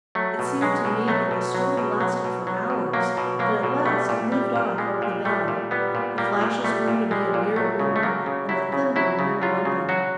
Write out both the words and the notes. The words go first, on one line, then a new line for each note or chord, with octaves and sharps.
It seemed to me that the storm lasted for hours; but at last it moved off up the valley, the flashes grew to be a mere glimmer, and the thunder mere rumbling.
F#3 A3
B2
F#3 G#3
B2
F#3 A3
B2
F#3
B2
F#3
B2
F#3
B2
F#3 A#3
B2
F#3 A#3
B2
G3 A3
A#2
G3
A#2
G3 G#3
A#2
G3 A3
A#2
G3 B3
A#2
G3 A#3
A#2
G3 A3
A#2
G3 G#3
A#2
F#3 A3
C#3
A3
F#3 A#3
C#3
F#3 E4
C#3
F#3 E4
C#3
F#3 F4
C#3
F#3 F#4